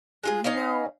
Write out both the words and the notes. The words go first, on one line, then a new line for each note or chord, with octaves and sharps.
You know
G#3 F4 G#4
C#4 D#4 D#5 F5